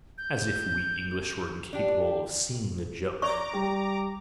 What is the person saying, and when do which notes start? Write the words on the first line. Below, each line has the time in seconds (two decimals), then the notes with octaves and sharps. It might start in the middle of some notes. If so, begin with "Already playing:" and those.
"As if we English were incapable of seeing a joke!"
0.18 G6
1.73 D4 G4
3.22 C#5 D5 A#5 C#6 D6
3.53 G3